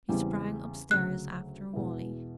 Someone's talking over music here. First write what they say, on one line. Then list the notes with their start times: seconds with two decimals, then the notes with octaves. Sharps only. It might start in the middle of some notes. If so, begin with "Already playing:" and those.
He sprang upstairs after Wally.
0.09 E2 C#3 E3 G3 C4
0.91 D2 C#3 F#3 F#6
1.73 E2 B2 G#3 B3 E4